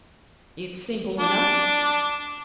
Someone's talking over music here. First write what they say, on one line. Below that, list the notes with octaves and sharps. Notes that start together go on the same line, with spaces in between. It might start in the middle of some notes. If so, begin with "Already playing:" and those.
It's simple enough.
D4